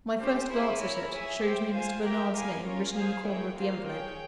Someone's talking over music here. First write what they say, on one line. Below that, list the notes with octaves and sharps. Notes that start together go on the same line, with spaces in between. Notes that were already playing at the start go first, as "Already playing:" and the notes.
My first glance at it, showed me Mr. Bernard's name written in the corner of the envelope.
C#4 G4 C5
E4 G#4 C5 E5 G#5
E4 A#4 C#5
G#4 C#5 E5 G#5
G4 C5 G5
F4 C5 F5 G#5
G4 A#4 E5 G5
E4 G4 A#4 F5 G#5
A#3 C#4 F4 A#4 C#5
G#4 C5 F5 G#5
A#3 E4 G#4 C#5 G5
A#3 F4 C5 F5
G#4 C#5 G5